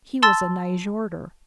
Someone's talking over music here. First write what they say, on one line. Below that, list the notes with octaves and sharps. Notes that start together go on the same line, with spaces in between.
He was a Nyjorder.
A5 C6 E6 A6